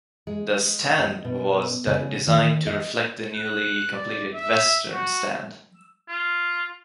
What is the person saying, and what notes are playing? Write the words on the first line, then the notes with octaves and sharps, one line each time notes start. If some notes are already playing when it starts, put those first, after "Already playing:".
The Stand was designed to reflect the newly completed Western Stand.
G#3
D#5
B2
C#3
D#3
D#5
F#6
D5
E5
F#4
F4